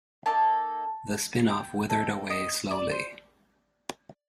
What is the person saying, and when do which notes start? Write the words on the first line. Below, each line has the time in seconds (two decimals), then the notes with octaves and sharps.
The spin-off withered away slowly.
0.26 A#3 D#4 A4 A5
1.48 G5
1.90 C4 D#4 A4
2.30 D#5
2.71 D5
2.91 C5